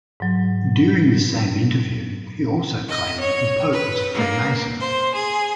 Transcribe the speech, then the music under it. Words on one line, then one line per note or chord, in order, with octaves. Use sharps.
During the same interview, he also claimed that the Pope was a Freemason.
G#2 F#3
D#5
C#5
B4
A#3
C5
G#4